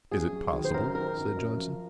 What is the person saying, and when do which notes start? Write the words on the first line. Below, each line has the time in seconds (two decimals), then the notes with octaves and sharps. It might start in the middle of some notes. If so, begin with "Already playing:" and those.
"Is it possible?" said Johnson.
0.11 F#2 G#4
0.33 F#3
0.53 D#3
0.64 C5
0.74 F#2 A#4
0.94 D#3 A#4
1.16 F#2
1.37 F#2
1.56 F3